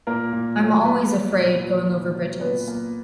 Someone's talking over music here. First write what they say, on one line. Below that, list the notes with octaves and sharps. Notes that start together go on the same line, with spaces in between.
I’m always afraid going over bridges.
A#2 A#3 A#4
A#2
F#3
A#3 B3 B4
F#3
A#2
F#3
A#2
F#3
A#2 B3 B4
A#3